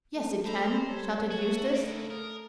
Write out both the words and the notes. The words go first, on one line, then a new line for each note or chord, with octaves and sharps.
"Yes, it can," shouted Eustace.
A3 A5
A4 C5 A#5 B5
G3 A4 C#5
A3 F#4
C#3 A#3
A#4 D#6